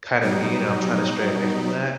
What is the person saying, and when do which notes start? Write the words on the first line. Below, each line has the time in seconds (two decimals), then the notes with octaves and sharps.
kinda mean, and I'm trying to stray away from that.
0.21 B2 F#3 G3 D#4